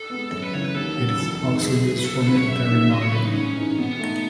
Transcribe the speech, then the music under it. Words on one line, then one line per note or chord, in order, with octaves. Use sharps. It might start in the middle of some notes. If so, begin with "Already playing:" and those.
It is also used for military modelling.
Already playing: A4
G#3 B3
F#2 A4
B4
C#3 E3 C#5
B4
D#2 A4
C#3 F#3
E2
D#3 G#3 B3
A4
F#3 G#4
B3 E4
B4
C#2 A4
A4
C#3 F#3 B4
C#5
F#2 E5
D#3 F#3
F#2 D#5
C#5
C#3 E3 B4
D#4
G#2 C#4
E3 G#3 D#4
B2 B3
A3 D#4